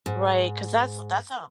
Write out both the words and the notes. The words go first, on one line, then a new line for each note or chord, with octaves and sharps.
Right, 'cause that's that's a
G#2